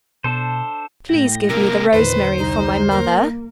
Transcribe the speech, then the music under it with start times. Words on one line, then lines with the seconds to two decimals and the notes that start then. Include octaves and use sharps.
"Please give me the rosemary for my mother."
0.24 B2 D4 A4 C5
1.09 A2 A3 G5 A#6
1.49 C3 A#3 A#4
1.93 E2 A#2 D3 D#3 B4 C5
2.38 C2 G3 D#4
2.91 A#3 A#4